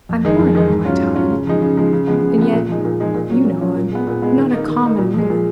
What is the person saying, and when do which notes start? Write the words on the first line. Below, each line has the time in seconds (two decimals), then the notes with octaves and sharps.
I'm born out of my time. And yet, you know, I'm not a COMMON woman.
0.09 F2
0.25 D#3 G#3 D#4
0.39 F2
0.55 D#3 G#3 D#4
0.69 G#2
0.85 F#3 C#4 F4
1.00 G#2
1.15 F#3 C#4 F4
1.31 C#3
1.47 F3 G#3 D#4
1.62 C#3
1.77 F3 G#3 D#4
1.93 C#3
2.07 F3 G#3 B3
2.23 C#3
2.38 F3 G#3 B3
2.53 A#2
2.69 F3 G#3 D#4
2.85 A#2
3.00 F3 G#3 D#4
3.14 A#2
3.30 F#3 C#4
3.45 A#2
3.61 F#3 C#4
3.76 A#2
3.92 G#3 B3
4.07 A#2
4.22 G#3 B3
4.37 D#3
4.53 A#3 D#4
4.68 D#3
4.83 A#3 D#4
4.98 A#2
5.14 F3 G#3
5.30 A#2